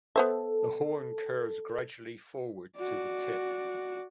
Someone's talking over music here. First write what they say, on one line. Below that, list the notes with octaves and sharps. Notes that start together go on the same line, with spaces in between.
The horn curves gradually forward to the tip.
B3 A4 C5 E5
F#4 D5